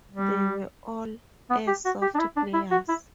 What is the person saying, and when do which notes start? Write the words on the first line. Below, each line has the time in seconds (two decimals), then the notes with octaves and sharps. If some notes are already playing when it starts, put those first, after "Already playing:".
They were all airsoft players.
0.11 G3
1.50 B3
1.67 G4
1.85 F#4
2.02 G4
2.15 D4
2.19 E4
2.36 D4
2.54 E4
2.71 F#4
2.89 E4